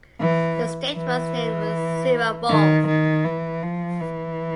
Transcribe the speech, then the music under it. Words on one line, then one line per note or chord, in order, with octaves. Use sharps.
The state was named Seorabeol.
E3
E3
D#3
D#3
E3
F3
E3